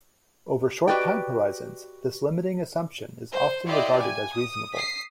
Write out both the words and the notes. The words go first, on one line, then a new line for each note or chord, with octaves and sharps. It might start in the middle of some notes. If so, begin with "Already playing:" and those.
Over short time horizons, this limiting assumption is often regarded as reasonable.
F#4 G4 B4 D5 D#5 G5
C5
E4 F4 G4 D5 D#5
G#5
D#6
D#6 B6 C7